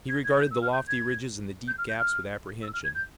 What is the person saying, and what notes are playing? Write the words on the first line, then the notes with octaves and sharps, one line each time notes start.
He regarded the lofty ridges and the deep gaps with apprehension.
G#6
G#6
G6
E6
F6
G6
G#6
G6
F6
G6
F6
E6
F6
G#6
G6